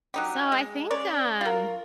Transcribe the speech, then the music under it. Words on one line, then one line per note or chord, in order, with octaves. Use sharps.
So, I think, um
F#3 D#4 G4
G#3
C#4 C#5 D5
F4 A#4